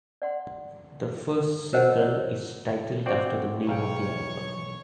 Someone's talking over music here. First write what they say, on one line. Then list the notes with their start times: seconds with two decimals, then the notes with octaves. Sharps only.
The first single is titled after the name of the album.
0.22 D5 F#5 C6
1.73 A#4 C5 C#5 D#5 F#5
1.98 E4 A#4 C#5 D5 F#5
3.06 C4 F#4 D5
3.67 B1 C#5 F5 G5